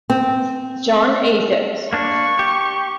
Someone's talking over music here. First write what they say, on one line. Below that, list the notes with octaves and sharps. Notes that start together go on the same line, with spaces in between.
John A. Dix.
C4
A#3 D4 C#6
G4